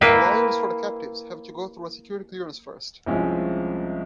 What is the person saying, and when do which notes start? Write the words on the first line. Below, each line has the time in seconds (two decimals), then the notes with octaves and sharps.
Lawyers for the captives have to go through a security clearance first.
0.01 A#3 E4 B4 G5
3.06 C2 F3 G#3 C4 C#4 E5